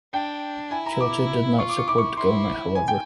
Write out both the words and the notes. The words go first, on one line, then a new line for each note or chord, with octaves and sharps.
Churchill did not support the government, however.
D4 G5
E4 G#5
A#5
D6
F4 C#6
D6
C#6
E4 D6
C#6
E4 C6
G#5
G5